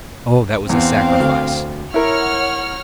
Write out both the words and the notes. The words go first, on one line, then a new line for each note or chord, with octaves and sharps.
Oh, that was a sacrifice!
E2 C4 F5
D2 F6
E4 A#4 C#5 F#5 F6